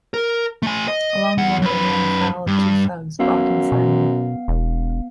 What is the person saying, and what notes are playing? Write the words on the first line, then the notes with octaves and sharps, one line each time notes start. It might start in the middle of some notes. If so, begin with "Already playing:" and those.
Along the way, they run afoul of two thugs, Bock and Simon.
A#4
A3 G#5
D#5
E2 F#5
F#2 B4
G2
F#2 B3 F5
B2
E1